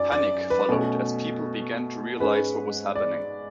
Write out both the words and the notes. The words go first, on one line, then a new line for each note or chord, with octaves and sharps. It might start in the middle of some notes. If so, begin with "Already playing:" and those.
Panic followed as people began to realize what was happening.
Already playing: F#2 D5
D5
B4
B2 A3 C#4
G#2 G#3 C#4 B4
D5